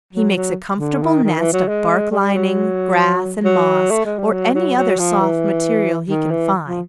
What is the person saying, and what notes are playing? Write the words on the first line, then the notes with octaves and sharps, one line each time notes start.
He makes a comfortable nest of bark lining, grass, and moss, or any other soft material he can find.
F#3
F#3
D3
D#3
D#3
E3
F#3
G#3
G3
F#3
F#3
A3
G#3
G3
F#3
F#3
F#3
F3
E3
D#3
E3
F3